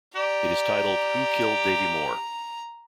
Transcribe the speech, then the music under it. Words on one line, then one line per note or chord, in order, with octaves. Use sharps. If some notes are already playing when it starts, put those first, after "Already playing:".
It is titled Who Killed Davey Moore?
G4 D5 A#5